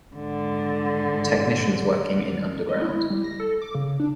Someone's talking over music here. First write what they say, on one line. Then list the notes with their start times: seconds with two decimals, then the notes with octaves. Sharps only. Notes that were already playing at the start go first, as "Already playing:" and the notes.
Technicians working in underground.
0.16 G#2 D3
2.69 D#5
2.82 E4
3.10 G3
3.24 A#6
3.40 A4
3.62 D6
3.75 C#3
4.00 D4